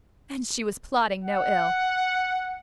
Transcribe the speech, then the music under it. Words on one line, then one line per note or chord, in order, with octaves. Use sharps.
And she was plotting no ill.
F#5